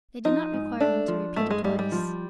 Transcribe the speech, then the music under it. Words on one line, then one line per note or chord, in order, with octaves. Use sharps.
They did not require him to repeat it twice.
F3 D#4
G#2
A3 D4
F3
G#2 A3
G#3
G#2 G3
G3
F3